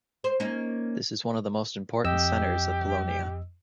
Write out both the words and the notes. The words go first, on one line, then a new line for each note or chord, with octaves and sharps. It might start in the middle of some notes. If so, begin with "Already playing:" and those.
This is one of the most important centers of Polonia.
C5
A#3 C#4 D#4
F2 G4 D#5 E6